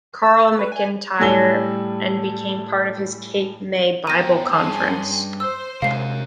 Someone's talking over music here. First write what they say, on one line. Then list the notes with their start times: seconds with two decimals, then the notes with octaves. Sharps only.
Carl McIntire and became part of his Cape May Bible Conference.
0.23 E6
0.59 B4
0.72 G#5
1.19 A2 G3 A4 G#5 E6 G7
4.07 B3 G5 A#5 A#6 D#7
4.52 G2 C#4 G#4 A5 C6
5.40 C5 E6
5.82 C3 G#3 A#4 C#5 F5 C7